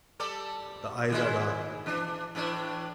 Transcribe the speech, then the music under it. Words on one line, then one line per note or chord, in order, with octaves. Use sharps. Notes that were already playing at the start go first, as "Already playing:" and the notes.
The eyes are dark.
G3 A4 D5
D#3 G#3 E4
E3 D4
A2 E3 D4